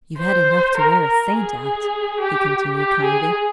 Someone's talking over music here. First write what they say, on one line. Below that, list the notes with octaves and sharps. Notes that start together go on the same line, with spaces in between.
"You've had enough to wear a saint out," he continued kindly.
C5
A#4
A#4
G#4
G4
G4
G#4